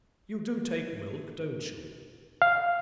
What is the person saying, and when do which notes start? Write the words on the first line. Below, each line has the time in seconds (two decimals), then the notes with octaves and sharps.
You do take milk, don't you?
2.42 F5